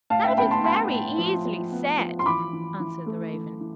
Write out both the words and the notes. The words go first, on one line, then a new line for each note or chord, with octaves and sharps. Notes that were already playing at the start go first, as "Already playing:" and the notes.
"That is very easily said," answered the Raven.
A2 F5 A5
E5 G5
B3 G5 B5
A5 C6
B3 A5 C6
A2
F3
F3
B3
F3
C6
E3 B5 D6
E3
E3
A3
E3
E3